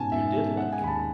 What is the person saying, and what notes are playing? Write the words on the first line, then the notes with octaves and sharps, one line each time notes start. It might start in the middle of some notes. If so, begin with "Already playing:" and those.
You did like.
Already playing: G#2 B2 C#4 G#5 A5
G#2 E5
C#4
G#3 F#5
G#5
D#2 B5
A5